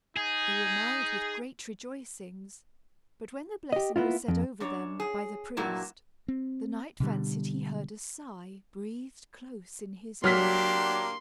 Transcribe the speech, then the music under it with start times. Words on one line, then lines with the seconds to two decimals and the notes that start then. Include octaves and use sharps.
They were married with great rejoicings; but when the blessing was said over them by the priest, the knight fancied he heard a sigh breathed close in his ear.
0.17 D#4 G#4
3.72 G4 D#5
3.96 A#3 B3 C#4 E4 F4
4.28 F2
4.60 F#2 D4 C#5
5.00 G#4
5.57 G2 A#2 F#3 A#3 E4
6.28 C4
7.00 B2 D3 G3
10.24 F#3 A#3 D4 G4 C6 F6 B6